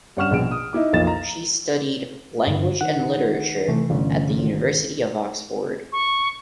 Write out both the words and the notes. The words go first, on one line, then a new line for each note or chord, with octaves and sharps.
She studied Language and Literature at the University of Oxford.
G2 C#4 F#5 C#6 F6 E7
A#1 B2 D7
D#6
D#4 E4 D6
B1 F2 F3 A#3 A6 E7
A#5
G2 D3
D#3 F#5
C3 E3 A3
G1 C#4
G#1
C#6